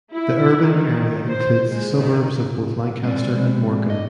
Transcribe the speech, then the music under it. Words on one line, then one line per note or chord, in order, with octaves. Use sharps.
The urban area includes the suburbs of both Lancaster and Morecambe.
E4
D#3
C5
G#3
D#3
G#3 C4 D5
G#4
D5 D#5